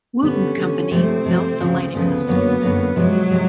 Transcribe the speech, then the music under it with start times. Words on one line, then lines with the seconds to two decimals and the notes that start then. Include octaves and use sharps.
Wooten company built the lighting system.
0.23 D3 G3 B3 C#4
0.56 D3 G3 B3
0.91 C3 F3 A3 C4
1.25 C3 F3 A3
1.60 D2 C#3 F3
1.93 D2 C#3 F3 B3
2.27 F#2 D3 F#3 A#3
2.62 F#2 D3 F#3 A#3
2.96 C3 F3 F#3 G#3
3.30 C3 F3 G#3